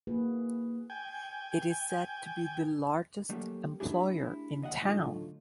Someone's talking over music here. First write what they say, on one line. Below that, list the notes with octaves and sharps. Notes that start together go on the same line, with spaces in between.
It is said to be the largest employer in town.
A#3 E4 F#4 G#4 B4
G5 G#5
F#3 G3 A3 A#3 C#4 G4
A3 D4 E4 G4 G#4
D#2 D#5 E5 F#5
A2 D3 F#3 A3 D#4 F4